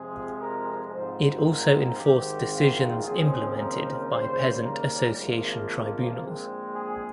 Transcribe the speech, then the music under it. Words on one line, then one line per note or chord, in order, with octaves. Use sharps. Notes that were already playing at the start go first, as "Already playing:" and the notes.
It also enforced decisions implemented by peasant association tribunals.
Already playing: F2 C3 F3 G#3 G#4
A#4
G#2 F3 C4 C5
A#4
G#1 G#2 D#3 G#3 C4 G4
F4
D#2 C#3 F3 C4 G#4
A#4
D#2 C#3 G3 C5
A#4
G#1 G#2 F3 A#3
A#1 A#2 G#3 C4
G#4